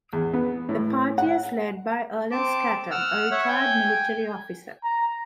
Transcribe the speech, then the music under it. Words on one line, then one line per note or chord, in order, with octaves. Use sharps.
The party is led by Erland Skattem, a retired military officer.
E2
B3
A2
F#5
C4 A5 D6
F#5 E6 F6
C#5 E5 F#5
G5 G#5
A#5